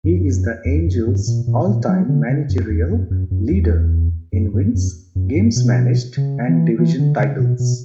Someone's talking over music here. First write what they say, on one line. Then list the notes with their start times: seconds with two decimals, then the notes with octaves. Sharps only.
He is the Angels' all-time managerial leader in wins, games managed, and division titles.
0.04 F#2
0.65 E2
0.86 F#2
1.07 G2
1.27 A#2
1.47 A#2
1.67 A#2
1.88 F#3
2.08 D3
2.29 C#3
2.49 F#2
2.70 E2
2.90 F#2
3.10 F#2
3.31 F#2
3.51 E2
4.33 F#2
4.53 G2
4.74 F#2
5.15 F#2
5.35 G2
5.56 B2
6.17 C#3
6.48 E3
6.79 E3
6.99 D3
7.19 C#3
7.39 B2
7.59 B2